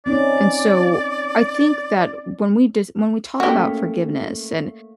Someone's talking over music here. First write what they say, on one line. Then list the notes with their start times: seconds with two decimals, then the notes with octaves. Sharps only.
And so, I think that when we dis when we talk about forgiveness and
0.06 C4 C#4 D#4 D5
3.40 A3 A#3 C#4 F#4 G4